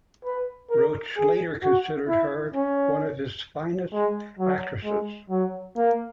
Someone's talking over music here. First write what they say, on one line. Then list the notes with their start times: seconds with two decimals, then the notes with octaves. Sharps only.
Roach later considered her one of his finest actresses.
0.25 B4
0.70 A#4
1.17 G#4
1.63 F#4
2.08 E4
2.54 C#4
3.93 G#3
4.39 F#3
4.84 G#3
5.30 F#3
5.77 A#3